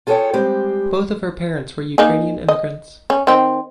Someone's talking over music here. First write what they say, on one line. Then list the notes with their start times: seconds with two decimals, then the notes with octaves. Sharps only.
Both of her parents were Ukrainian immigrants.
0.07 F4 G#4 A4 C5 C#5 G5
0.33 G3 G#3 C4 G4 C5
1.98 A#3 D#4 G#4
2.49 D#5
3.10 C#4
3.27 D#3 C4